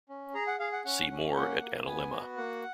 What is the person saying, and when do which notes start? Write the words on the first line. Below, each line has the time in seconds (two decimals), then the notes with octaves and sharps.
See more at analemma.
0.09 C#4
0.34 G#4 A#5
0.47 F#5
0.59 G#4 F5
0.72 F#5
0.85 C#4 F#5
1.11 C#4
1.35 A#3 F#5
1.61 A#3
1.86 B3 G#5
2.12 F#4
2.37 A#3 F#5